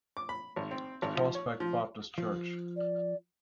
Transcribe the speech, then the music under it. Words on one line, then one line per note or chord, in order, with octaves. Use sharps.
Prospect Baptist Church.
D6
B5
G#1
C4
G#1
F3
C#5
F3
F3
D5